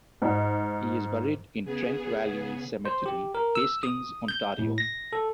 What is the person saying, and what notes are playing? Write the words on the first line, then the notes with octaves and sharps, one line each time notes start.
He is buried in Trent Valley Cemetery, Hastings, Ontario.
G#2
C#3 B3 G#4
C5
G4
A#4
E6
D#6
G6
A2
A#6
A4